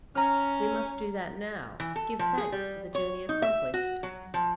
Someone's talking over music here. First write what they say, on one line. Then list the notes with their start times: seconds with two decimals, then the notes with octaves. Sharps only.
"We must do that now--give thanks for the journey accomplished."
0.15 C#4 A#5 F6
1.80 E3
1.96 A4
2.19 F3
2.38 G#4
2.52 G3
2.95 C#5
3.29 D#4
3.42 E5
3.74 F#4
4.03 F#3
4.34 F3